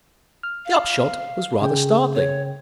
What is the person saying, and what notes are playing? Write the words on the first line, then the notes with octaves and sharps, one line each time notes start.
The upshot was rather startling.
F6
F5
C#3 G#4 G5
C#5